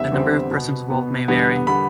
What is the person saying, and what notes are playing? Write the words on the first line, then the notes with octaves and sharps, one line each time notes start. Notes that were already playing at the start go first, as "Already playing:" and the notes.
The number of persons involved may vary.
Already playing: E2 D3 G3 C4 E5
E2 D3 G3 C4
B2 B3
B2 B3
E2 D3 G3 B3
D3 G3 B3 B5